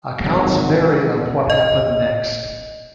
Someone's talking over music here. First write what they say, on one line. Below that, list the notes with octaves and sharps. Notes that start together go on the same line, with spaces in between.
Accounts vary of what happened next.
G#1 F#3
D#5